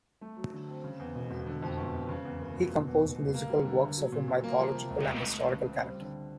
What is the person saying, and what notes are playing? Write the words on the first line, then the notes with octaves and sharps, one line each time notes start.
He composed musical works of a mythological and historical character.
A3
F#3
D3
C4
C#3
E2
E1
E1
D3
F2
G1
G1
C#3
E2
F#1
F#3
B2
E2
F1
G#3
A#3
G3
D3
D3
F#3
A#2
A#1
A#3
F3
C3
C#2
C#2
A3
E3
C#3
C4
G3
D3